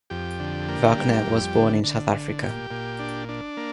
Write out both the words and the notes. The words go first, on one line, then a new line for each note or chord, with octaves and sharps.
Wagner was born in South Africa.
F2 G4
D3
A#3
G3
F2
D3
D3
D3
A#2 G4
A#2
D4
D4
A#3